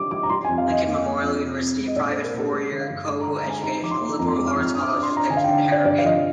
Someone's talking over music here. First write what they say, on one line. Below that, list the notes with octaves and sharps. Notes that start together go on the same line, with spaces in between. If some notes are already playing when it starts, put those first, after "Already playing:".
Lincoln Memorial University, a private four-year co-educational liberal arts college, is located in Harrogate.
Already playing: G3 D4 D6
G3 D6
A#5
G3 C6
G#5
F2
F5
F2 D#5
A#3 F5
D#5
A#3
F2
C3
C4
G#3
D#5
A#2 D5
C5
A#3
A#4
A#2
G4
G#3 G#4
D3
F5
G2
G#3
A#5
D3
A#5
G#3 G#5
D#4 A#5
F3 D6
C6
A#3
F2 A#5
D6
G#3
F6
F2
F6
D4 D#6
D6
D#6
D4
C6
D4
A#5
D3 G#5
F5
G5
D3
D3 D5
G2 D5
F5
F3 D#5